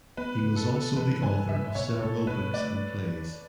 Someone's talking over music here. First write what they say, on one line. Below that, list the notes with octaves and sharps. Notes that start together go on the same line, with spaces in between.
He was also the author of several books and plays.
B3 B4
C#3
A4
B3
A4
E3 B4
C#3 G#5
C#3 E5
B2 C#5
B2 A4
B2 B4
A3 D5